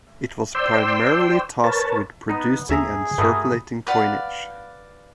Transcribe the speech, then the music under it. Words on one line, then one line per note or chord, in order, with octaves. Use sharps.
It was primarily tasked with producing and circulating coinage.
C5 D5 G5 C6 E6
A#4 B4 C#5 A5
B3 D#4
D#2 C#4 G#4 E5 A#5
G2 A3 F#4 A#4 B5 D#6
B4 D5 F5 F#5